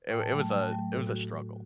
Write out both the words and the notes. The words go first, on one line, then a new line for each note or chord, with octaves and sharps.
it it was a it was a struggle.
A2 G5
A5
F#3 A3 G5
A5
A2 G5
A5
F#3 A3 G5
A2 A4
F#4